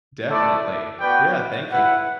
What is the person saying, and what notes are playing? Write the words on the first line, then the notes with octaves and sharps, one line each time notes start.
Definitely. Yeah, thank you.
A3 E4 A4 D5
B3 F#4 B4 D5 G5
E4 B4 F#5